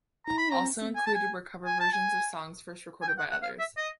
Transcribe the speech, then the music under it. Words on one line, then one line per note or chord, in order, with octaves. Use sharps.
Also included were cover versions of songs first recorded by others.
A#5
B5
A#5
G#5
A5
G#5
G#5
A5
G#5
G#5
G5
F#5
F#5
F5
E5
D#5